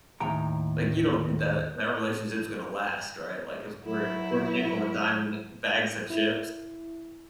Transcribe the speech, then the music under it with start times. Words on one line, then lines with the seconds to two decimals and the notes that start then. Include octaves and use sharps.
Like, you don't think that that relationship's gonna last, right? Like, if we're we're nickel and diming bags of chips.
0.20 D#2 A2 G5 A#5
3.84 F#3 E4
6.10 E4